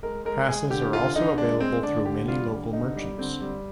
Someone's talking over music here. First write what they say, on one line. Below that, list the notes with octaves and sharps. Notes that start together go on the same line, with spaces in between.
Passes are also available through many local merchants.
G#3 A#4
G#3 A#4
G#3 G#4
D3 G4
D3 F4
D3 D#4
G#3 D4
G#3 C4
D3 D4
D3 G4
G3 F4
D3
D3 D#4
G3
D3 C4
G3